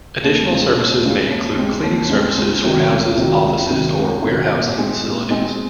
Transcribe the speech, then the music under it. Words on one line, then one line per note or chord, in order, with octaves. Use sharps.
Additional services may include cleaning services for houses, offices or warehousing facilities.
D#2
C#3 G#3 C4
D#2
C#3 G#3 C4
D#2
C#3 G#3 C4
D#2
C#3 G#3 C4
C#2
C3 D#3 F#3
C#2
C3 D#3 F#3
C#2
C3 D#3 F#3
C#2
C3 D#3 F#3
A#2
G#3 C4 D#4 G#4
A#2
G#3 C4 D#4 G#4